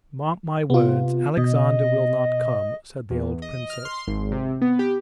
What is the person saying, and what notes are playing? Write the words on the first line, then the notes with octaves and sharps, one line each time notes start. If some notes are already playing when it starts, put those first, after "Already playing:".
"Mark my words, Alexander will not come," said the old princess.
C3 B3 F4
B2 D#5
E2
D#5
F6
C6
G#1
C3
B3
G4